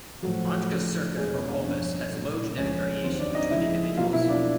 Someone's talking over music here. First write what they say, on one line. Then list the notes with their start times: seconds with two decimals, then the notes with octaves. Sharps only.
"Onchocerca volvulus" has low genetic variation between individuals.
0.23 A2 F3 F#3 A3 F#4
0.70 C#3 F3 A3 D4
1.16 E2 B2 G3 G#3 G#4
1.32 C#4 C#5
1.47 D4 D5
1.63 G2 D3 F3 A#3 C#4 C#5
2.10 A#2 F#3 A3 D4
2.57 C#2 C#3 F3 G#3 C#4 C#5
3.03 D#2 D#3 F#3 C4 C5
3.19 D4 D5
3.35 D#4 D#5
3.50 C#2 C#3 F3 E4 E5
3.97 B2 F#3 A#3 F4 F5
4.13 E4 E5
4.29 D4 D5